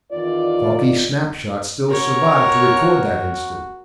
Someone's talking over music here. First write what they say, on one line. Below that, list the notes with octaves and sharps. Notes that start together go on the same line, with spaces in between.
Foggy snapshots still survive to record that incident.
E2 D#3 F4 D5
F#4 A#4 C#5